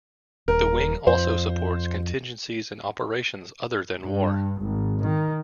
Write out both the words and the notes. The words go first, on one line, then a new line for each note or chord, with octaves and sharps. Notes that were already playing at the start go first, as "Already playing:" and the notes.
The wing also supports contingencies and operations other than war.
D#1 A#4
F2 C5
G2
G#1
D#3